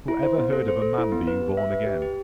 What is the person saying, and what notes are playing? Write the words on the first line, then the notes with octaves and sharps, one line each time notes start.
Who ever heard of a man being born again?
E4
C5
B3
A4
C5
A4
E4
B3
B4
G4
E5
B4
G4
G4